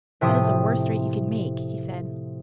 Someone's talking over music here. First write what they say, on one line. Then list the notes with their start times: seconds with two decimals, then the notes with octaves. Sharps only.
"That is the worst threat you could make," he said.
0.21 A2 C3 F3 D#6